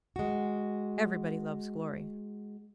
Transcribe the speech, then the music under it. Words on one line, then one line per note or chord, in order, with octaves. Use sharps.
Everybody loves Glory.
G#3 F#4